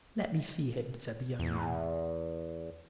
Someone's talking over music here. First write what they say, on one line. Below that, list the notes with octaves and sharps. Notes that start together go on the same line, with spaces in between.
"Let me see him," said the young man.
E2